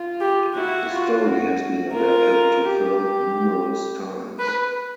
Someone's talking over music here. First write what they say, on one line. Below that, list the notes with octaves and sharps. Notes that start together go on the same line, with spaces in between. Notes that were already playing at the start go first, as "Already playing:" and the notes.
This story has been adapted to film numerous times.
Already playing: F4
G4
E4 F#4
F4
F#4
F4 A#4
G4
B4